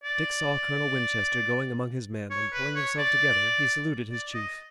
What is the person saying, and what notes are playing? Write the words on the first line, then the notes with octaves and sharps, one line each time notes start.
Dick saw Colonel Winchester going among his men, and pulling himself together he saluted his chief.
D5
C#5
B4
C#5
D5
D5
D#5